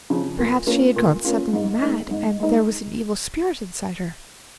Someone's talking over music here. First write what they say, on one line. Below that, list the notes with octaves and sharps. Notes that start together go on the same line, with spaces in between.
Perhaps she had gone suddenly mad, and there was an evil spirit inside her.
C#3 F3
A#2
A#3 C#4 F4
A#2
A#3 C#4 F4
G#2
G#3 D#4
G#2
G#3 D#4